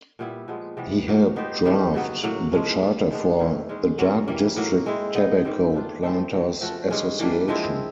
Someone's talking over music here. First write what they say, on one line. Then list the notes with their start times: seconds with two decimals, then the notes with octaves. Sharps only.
He helped draft the charter for the Dark District Tobacco Planters Association.
0.19 A#2 G3 B3 E4
0.48 A#2 F3 G#3 B3
0.77 C3 E3 G3 B3
1.07 A#2 F#3 A#3
1.36 B3 D#4 G4 C5
1.65 G2 D#3 G3 A#3
1.94 C#3 F#3 B3
2.23 A2 F#3 A#3
2.52 F3 G#3 C#4
2.82 G3 A#3 D4
3.11 D#3 G#3 B3 D4
3.40 D#3 G#3 C#4 E4
3.69 D#3 G#3 C#4
3.98 F#3 A#3 C#4 F4
4.28 E3 G3 A#3
4.56 A2 F#3 A#3
4.86 G#3 C4 E4
5.15 B3 D#4 G#4
5.45 G#2 D#3 G3 C4
5.74 A3 D4 F4
6.03 F3 A3 C4 F4
6.32 C#3 F#3 A3 C4
6.61 F3 A3 C#4 F#4
6.91 G2 D#3 G#3 C#4
7.19 E3 G3 A#3 D4
7.48 F3 G#3 C4 E4